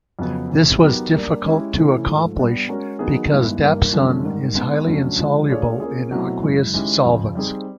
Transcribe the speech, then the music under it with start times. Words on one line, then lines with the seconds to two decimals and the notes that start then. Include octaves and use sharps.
This was difficult to accomplish because dapsone is highly insoluble in aqueous solvents.
0.19 F2 C#3 F#3 B3
0.50 E2 C3 E3
0.81 F#3 B3 D#4 G4 A#4
1.12 G3 A#3 D4
1.44 G#3 C#4 E4 G4
1.74 C3 E3 A3 C#4 E4
2.06 G#2 F3 A3
2.37 G3 B3 D4
2.68 G#3 C#4 F#4 A#4 C#5
2.99 D#3 F#3 B3 D#4 G#4
3.31 G2 D#3 G#3 B3 E4
3.61 G2 D#3 G3 A#3
3.93 F#2 D3 F3 G#3 C#4
4.25 G#2 D#3 G3
4.55 G#3 B3 D#4
4.87 F2 D3 F#3 A3 C#4
5.18 C#3 F3 G#3
5.49 A3 D4 F4 G#4 C#5
5.80 A#3 C#4 F4 G#4
6.11 B2 F#3 A3 C4 E4
6.42 F#2 C#3 E3 G#3
6.73 D#3 G#3 C#4 E4 G4
7.04 F2 C#3 F3
7.35 G3 C4 D#4 G#4 C5